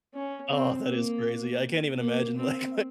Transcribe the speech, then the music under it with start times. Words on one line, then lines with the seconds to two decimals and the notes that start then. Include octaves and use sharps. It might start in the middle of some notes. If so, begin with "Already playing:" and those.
Oh, that is crazy. I can't even imagine like,
0.14 C#4
0.51 C4
0.87 A#3
1.99 A#3
2.36 C4